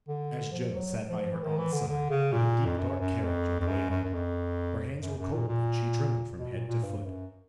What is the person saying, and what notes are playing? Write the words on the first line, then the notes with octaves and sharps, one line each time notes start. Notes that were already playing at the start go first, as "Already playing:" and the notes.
As Joe sat by her aunt's side in the deep dark carriage on the way home, her hands were cold and she trembled from head to foot.
D3
F3
F#3
F3
F3
E3
D#3
E3
D3
D3
C#3
A#2
F2
F#2
F#2
F2
F2
F#2
F#2
F#2
F2
F#2
F#2
A#2
A#2
B2
A#2
A#2
G2
F#2